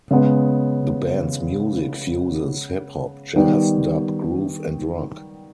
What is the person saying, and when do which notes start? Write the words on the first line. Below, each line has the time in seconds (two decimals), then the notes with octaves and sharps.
The band's music fuses hip hop, jazz, dub, groove and rock.
0.11 C#3 G#3 B3
3.36 D#3 G3 B3